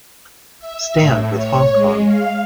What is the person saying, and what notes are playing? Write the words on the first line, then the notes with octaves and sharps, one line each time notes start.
Stand with Hong Kong.
E5
A2
C#5
G#3
F5